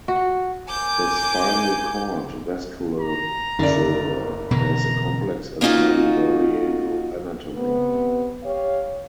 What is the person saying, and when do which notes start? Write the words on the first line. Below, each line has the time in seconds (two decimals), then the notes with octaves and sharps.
The spinal cord vasculature has a complex and highly variable anatomy.
0.08 F#4
0.69 A#3 G#5 D6 G6
3.01 A#5
3.59 F#1 D3 A#4 D5
4.51 B2 D3 E3 A#5
5.61 A#3 B3 C#4 D#4 F4 F#4
7.55 C3 B3
8.44 G4 C#5 F5